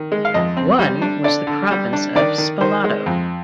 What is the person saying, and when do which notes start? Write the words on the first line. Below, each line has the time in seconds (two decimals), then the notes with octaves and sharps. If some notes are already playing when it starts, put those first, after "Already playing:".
One was the province of Spalato.
Already playing: D#3
0.12 G#3
0.25 F5
0.34 F2 D#5
0.57 C4
0.79 G3
1.02 D4
1.24 D3 D5
1.47 D3
1.71 G3
1.93 D4
2.15 D#3 D5
2.38 D#3
2.61 D#3 C5
2.84 G#3
3.06 F2